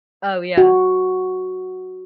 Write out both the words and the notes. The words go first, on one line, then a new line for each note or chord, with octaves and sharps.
Oh, yeah.
F#4